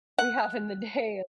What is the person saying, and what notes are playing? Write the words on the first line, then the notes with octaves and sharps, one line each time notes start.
we have in the day, and
F#5